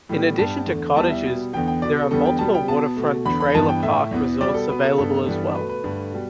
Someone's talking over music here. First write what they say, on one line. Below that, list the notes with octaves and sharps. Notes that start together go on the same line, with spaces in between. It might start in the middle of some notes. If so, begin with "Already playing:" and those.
In addition to cottages, there are multiple waterfront trailer park resorts available as well.
A2 E3 G3 B3
G2 G3 B3 A5
E2 D3 A3
E2 E3 G3 B3 A5
E5
B2 G3 B3
E2 D3 B3 G5
G5
B2 B3 D5
A4
E2 D3 G3 B3 A4
G5
B2 G3 B3 A5
G5
B2 B3 A5
B2 A3
E2 D3 B3 B5
B5
G2 E3 B3 A5
G5
A2 A3 E5
E2 E3 B3
B2 G3 B3 D5
A4
B2 B3 B4
A4
G2 D3 B3 A4
G2 E3 G3 B3
B2 A3 B4
B4
G2 D3 A3
B2 G3